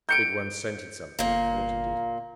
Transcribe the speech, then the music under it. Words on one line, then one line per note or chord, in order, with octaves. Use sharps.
"The big one scented something, or thought he did."
G6 C#7 D7
G1 A#2 A#3